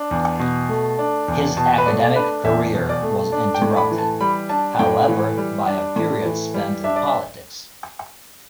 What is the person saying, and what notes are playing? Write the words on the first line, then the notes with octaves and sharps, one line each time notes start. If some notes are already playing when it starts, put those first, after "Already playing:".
His academic career was interrupted, however, by a period spent in politics.
Already playing: D4
E2
B2
A3
D4
E2
B2 A5
B4
A3 D5
D5
D4 B4
E2 E5
B2
D5
A3
D4
G5
A2
B5
E3
A5
G3 B5
D4 A5
A2 G5
E3
G3
D4
A2
E3
G3
D4 E5
D5
E5